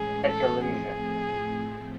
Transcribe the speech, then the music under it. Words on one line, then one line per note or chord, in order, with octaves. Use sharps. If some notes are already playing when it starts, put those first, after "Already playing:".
At your leisure.
Already playing: A2 E3 G#3 C#4 G#4
A4
A2 F3 A3 C4 G#4